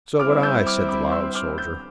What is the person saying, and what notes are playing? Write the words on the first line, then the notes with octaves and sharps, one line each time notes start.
"So would I," said the loud soldier.
G3 C4 E4 D6 F6
E6 G6
D6 F6
B5 D6
C6 E6
D6 F6
E6 G6